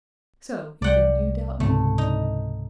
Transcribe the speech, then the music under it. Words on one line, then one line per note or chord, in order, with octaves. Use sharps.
"So, even you doubt me?"
C2 D5 F#5 G5
C#2 G#2 C3 A3
D#4